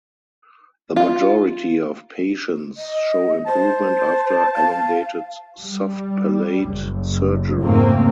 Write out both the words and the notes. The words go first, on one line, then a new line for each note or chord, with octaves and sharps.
The majority of patients show improvement after elongated soft palate surgery.
F4
D#5
C5 A5
F5
G3
F#1
F2 G#2 C#3 A3 A#3 C4